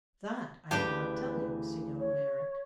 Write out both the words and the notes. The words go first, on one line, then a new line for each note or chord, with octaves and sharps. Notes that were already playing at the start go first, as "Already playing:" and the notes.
"That I cannot tell you, Signor Merrick."
D2 C#3 E3 D4 G4 B4
C#5